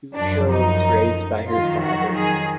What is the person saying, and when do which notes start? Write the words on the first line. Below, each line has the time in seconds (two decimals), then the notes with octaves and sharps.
Julia was raised by her father.
0.17 F#2 F3 D4
0.50 D#4
1.50 F2 D#3 F#3 F4
1.83 F#4
2.16 G#4